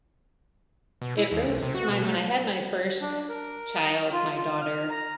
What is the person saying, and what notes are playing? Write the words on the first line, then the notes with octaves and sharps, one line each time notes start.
it brings to mind when I had my first child- my daughter-
B2
E4
D#2
B1
C3
F#4
B2
A3
D4
A#4
F4
F4
F6
A#5